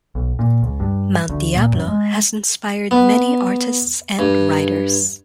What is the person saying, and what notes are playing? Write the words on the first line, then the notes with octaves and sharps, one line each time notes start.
Mount Diablo has inspired many artists and writers.
B1
A#2
C#2
G2
D2
A#2
F#2
G#3
B3
G2